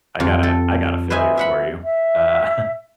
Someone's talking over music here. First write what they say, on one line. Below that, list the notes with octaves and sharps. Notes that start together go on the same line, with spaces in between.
I got a I got a failure for you, uh
F2
A4
B4 C5 D#5 E5 G#5
E5 F#5 B5
E5